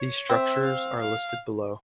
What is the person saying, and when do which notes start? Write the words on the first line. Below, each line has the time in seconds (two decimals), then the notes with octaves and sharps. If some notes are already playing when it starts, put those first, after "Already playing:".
These structures are listed below.
Already playing: C#5
0.29 C4 E5
0.64 F5
1.00 F5